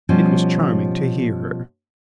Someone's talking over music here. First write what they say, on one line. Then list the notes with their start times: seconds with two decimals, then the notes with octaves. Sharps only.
It was charming to hear her.
0.09 B2 F3 G3 C#4